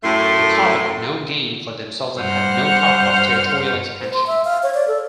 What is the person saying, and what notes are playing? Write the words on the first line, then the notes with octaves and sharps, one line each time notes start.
They covet no gain for themselves and have no thought of territorial expansion.
F#2 A2 A3 C6
G2 C5 F#5 F6
C5
C6
E5
F5
C#5
D5
A4